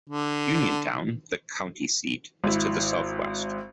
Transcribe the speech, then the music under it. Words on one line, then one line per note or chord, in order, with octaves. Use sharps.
Uniontown, the county seat, is to the southwest.
D3
G#1 E4